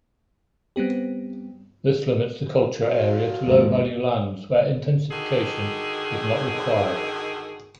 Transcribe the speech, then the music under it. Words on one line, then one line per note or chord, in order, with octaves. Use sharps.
This limits the culture area to low value lands where intensification is not required.
G3 B3 C4 G4
F#3 F5
D#2 G#2 D3
D3 D#3 F#4 G#4